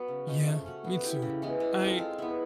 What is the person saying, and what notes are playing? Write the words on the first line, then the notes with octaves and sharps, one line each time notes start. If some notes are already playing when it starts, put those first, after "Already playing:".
Yeah, me too. I
Already playing: F#3 B3 F#4
C#3
F3 G#3 C#4
A3
C#4 F#4
B3
E4 G4
C#3
E3 G#3 B3
G#3
C4 F4 A4
G#3
B3 E4